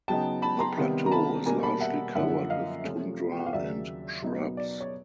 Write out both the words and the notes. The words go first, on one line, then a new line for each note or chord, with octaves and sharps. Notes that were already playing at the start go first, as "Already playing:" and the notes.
The plateau is largely covered with tundra and shrubs.
C#3 F#3 B3 D#4 G5 A5
A5 B5
A#5 C6
C3 D#3 G3 B3
A#5
A5 B5
B2 G3 A#3 G#5 A#5
A5 B5
E5 F#5
F#2 D3 F3 A#3 C#4 E5 F#5
D#5 F5
C3 F3 A3 C#4 F4
G5
F#5
F5
D#2 C#3 F#3 D5 E5
B2 F#3 B3 D#4
D5
C#5